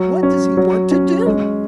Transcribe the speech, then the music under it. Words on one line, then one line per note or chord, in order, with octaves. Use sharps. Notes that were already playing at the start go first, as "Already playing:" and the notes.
"What does he want to do?"
Already playing: F#3
C#4
F#3
C#4
G#3